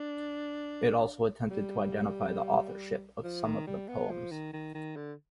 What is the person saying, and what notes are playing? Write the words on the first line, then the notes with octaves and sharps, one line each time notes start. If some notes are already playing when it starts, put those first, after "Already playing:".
It also attempted to identify the authorship of some of the poems.
Already playing: D4
G3
F3
D#3
G3
B3
F3
D#3
D#3
D#3
D3